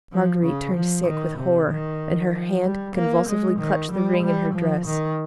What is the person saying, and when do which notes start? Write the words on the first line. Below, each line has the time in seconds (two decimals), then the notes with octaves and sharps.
Marguerite turned sick with horror, and her hand convulsively clutched the ring in her dress.
0.12 F3
0.44 C#3
0.75 F3
1.07 D#3
1.38 C3
1.69 D#3
2.33 F3
2.65 G3
2.96 A#3
3.28 G#3
3.59 D#3
3.92 G3
4.23 G3
4.54 F3
4.86 D#3